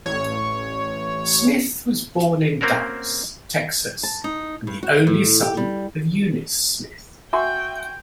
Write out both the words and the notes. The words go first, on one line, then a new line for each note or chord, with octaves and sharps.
Smith was born in Dallas, Texas and the only son of Eunice Smith.
A1 C#5
A#3 C4 C#4 F#4 A#4
A5
D#4
G2
F#4
A2
G4
G3
F#4 E5 G5 G#5 C6 C#6